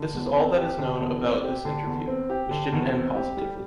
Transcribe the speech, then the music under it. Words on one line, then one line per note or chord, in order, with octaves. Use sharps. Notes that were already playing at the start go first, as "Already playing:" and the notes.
This is all that is known about this interview, which didn’t end positively.
Already playing: D3
E2
C4
G4
D3
E2
C4
G4
D3
E2
C4
G4
D3
E2
C4
G4
G3